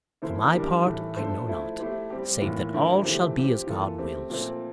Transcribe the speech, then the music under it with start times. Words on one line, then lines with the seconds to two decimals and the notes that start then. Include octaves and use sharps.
For my part, I know not, save that all shall be as God wills.
0.22 E3 A#3 E4 A4 C5
0.54 E3 G3 D4 G4 A#4
0.85 A2 E3 A3
1.16 F3 A3 D4 A4 C5
1.47 F3 A3 E4
1.79 A3 E4 G4 C5
2.10 G3 C4 G4
2.42 A2 E3 A#3 F4
2.73 D3 F3 A3 E4 A#4
3.04 C3 E3 A3 C4 G4
3.35 F3 C4 G4
3.67 E3 A#3 F4 A4
3.98 A3 C4 G4
4.30 A#2 F3 A3 C4